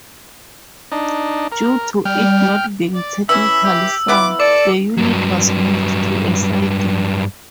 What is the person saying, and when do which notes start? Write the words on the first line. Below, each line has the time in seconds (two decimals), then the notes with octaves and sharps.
Due to it not being technically sound, the unit was moved to a siding.
0.92 D4 D#4
1.52 A#4
2.05 G3 G5 F6
2.95 D5
3.29 E3 C#4 E4 E5 E6
3.64 G4
4.08 B3 E4 F4 D6
4.40 A4 D5 D6
4.98 G2 F#3